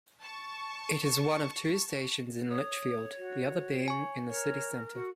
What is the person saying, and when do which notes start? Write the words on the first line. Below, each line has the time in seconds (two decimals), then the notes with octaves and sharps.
It is one of two stations in Lichfield, the other being in the city-centre.
0.22 A5 C#6
2.50 C#5 D#6
3.17 F#4
3.88 G#5 C#6
4.29 A#4 C#5
4.94 F#4